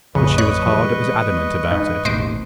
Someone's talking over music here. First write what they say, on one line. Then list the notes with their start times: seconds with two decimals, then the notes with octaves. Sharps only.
But she was hard as adamant about it.
0.15 A1 F2 C#3 B4 D#5 C#6
0.38 C#5 F#6
0.67 E3 G3 G#3
1.71 G#2
2.05 E1 A1 D#2 C5 D#5 D6